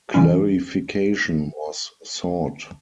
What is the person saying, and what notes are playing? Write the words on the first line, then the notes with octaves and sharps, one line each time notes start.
Clarification was sought.
C#3 E3 G3 C#4